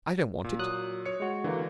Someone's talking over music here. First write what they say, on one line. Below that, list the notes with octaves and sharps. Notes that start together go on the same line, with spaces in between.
I don't want it.
A#2
F#3 D#6 F#6
C#5 C#7
G#3 F#4
D3 E3 A#3